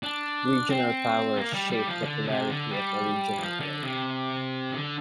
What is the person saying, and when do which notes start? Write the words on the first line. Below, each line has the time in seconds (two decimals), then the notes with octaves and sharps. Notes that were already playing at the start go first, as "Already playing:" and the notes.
Regional powers shape the polarity of a regional area.
0.03 D4
0.70 C4
1.37 A#3
1.53 G3
1.70 G3
1.87 F3
2.04 D3
2.27 C3
2.49 D3
2.71 G3
3.38 F3
3.60 D3
3.83 C3
4.72 D3